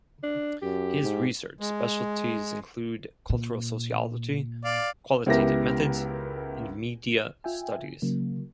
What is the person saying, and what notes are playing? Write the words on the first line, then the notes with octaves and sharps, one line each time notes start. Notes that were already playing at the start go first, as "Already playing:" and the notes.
His research specialties include cultural sociology, qualitative methods and media studies.
D4
F#2 G4
G#2
G#3
A#2
D5 F5
C#2 B3 E4 G4 A#4 A#6
F4 E5 G5 G#5
C#3 F#3 A#3